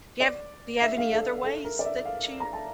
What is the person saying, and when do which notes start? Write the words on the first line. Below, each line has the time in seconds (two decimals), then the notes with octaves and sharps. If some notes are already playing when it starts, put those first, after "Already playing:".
Do you have do you have any other ways that you
0.20 D5
0.82 E5
0.98 F5
1.13 A4
1.44 A4
1.64 A#4
1.79 D5
1.85 E5
2.05 F5
2.40 A#5
2.53 A5